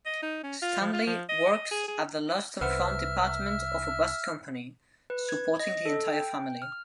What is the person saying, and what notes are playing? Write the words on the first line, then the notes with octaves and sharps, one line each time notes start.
Stanley works at the lost-and-found department of a bus company, supporting the entire family.
D#5
D#4
C#4
F4
F3
F4
F3
D#5
D#5
G#4
G#4
C2 B4 C5 E5 F#5 F6
B4
G#6
D#5
A4
G5
F6